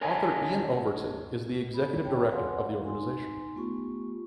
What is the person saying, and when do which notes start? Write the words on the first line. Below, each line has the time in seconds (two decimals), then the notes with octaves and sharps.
Author Iain Overton is the Executive Director of the organisation.
0.01 A#4 C#5 D#5 G#5 A5
1.74 B5
2.03 C#5 G5 A5
2.30 B4 C#5 F5 F#5 G#5 C6
2.84 D#4 G#5 C6
3.56 A3 B3 F4 G4 C#6